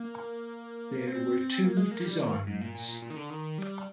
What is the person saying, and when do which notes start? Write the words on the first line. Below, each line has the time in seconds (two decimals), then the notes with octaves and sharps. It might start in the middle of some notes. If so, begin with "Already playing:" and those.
There were two designs.
Already playing: A#3
1.07 C4
1.64 A#3
1.77 G#3
1.91 A#3
2.05 G3
2.19 D#3
2.47 G#2
2.61 A#2
2.75 A#2
2.88 A#2
3.02 A#2
3.10 D#3
3.16 D3
3.30 D#3
3.58 G3